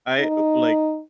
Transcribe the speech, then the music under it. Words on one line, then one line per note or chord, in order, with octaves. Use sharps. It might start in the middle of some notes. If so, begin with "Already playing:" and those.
I, uh, like,
D#4